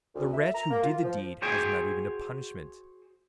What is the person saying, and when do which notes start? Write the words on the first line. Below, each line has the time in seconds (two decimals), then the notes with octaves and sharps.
The wretch who did the deed has not even a punishment.
0.15 D2
0.33 E5
0.55 A#5
0.71 A#3
0.83 F4
1.03 F3
1.42 F#4 G#4 C5 C#5 G5 G#5